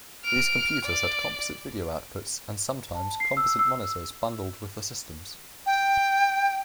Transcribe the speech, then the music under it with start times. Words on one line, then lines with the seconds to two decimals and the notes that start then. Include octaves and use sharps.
These computers had composite video outputs, and sometimes composite monitors bundled with the systems.
0.25 F6 D7
0.85 D5
2.95 A5
3.20 C7
3.37 E6
3.59 E6
5.66 G5